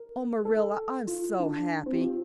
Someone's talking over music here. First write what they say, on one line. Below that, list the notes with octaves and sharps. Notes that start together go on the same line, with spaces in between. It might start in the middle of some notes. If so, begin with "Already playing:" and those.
Oh, Marilla, I'm so happy.
Already playing: A#4
A4
F4
D4
C4
G4
F4